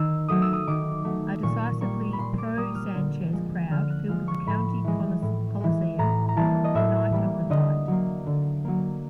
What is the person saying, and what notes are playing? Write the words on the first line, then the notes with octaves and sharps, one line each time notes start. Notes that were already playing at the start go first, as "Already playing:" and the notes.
A decisively pro-Sanchez crowd filled the County Coliseum the night of the fight.
Already playing: D#3 E6
F#3 A3 D#6
E6
D#6
D#3 D6
F#3 A3
A#2 C#6
G3 A#3 C#6
B5
A#2 C6
D6
G3 A#3 D#6
F6
D3
F3 G#3
D3 F6
F#6
F3 G#3 F6
C#6
A2 B5
E3 G#3
A2
E3 G#3
A2 A#5
A#5
E3 G3 A#3 A5
D#5
A2 E5
E3 G3 A#3
D3 D#5
F#3 A#3
D3
F#3 A#3